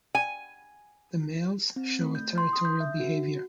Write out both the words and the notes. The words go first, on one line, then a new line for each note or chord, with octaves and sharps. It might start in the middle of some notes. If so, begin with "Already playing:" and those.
The males show a territorial behavior.
G#5
C4
A3
G6
C6
D#6
G6
E5
F#4